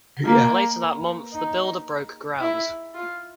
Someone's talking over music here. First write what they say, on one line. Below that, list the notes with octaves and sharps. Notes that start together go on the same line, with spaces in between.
Later that month, the builder broke ground.
A#3
D#4
E4
F4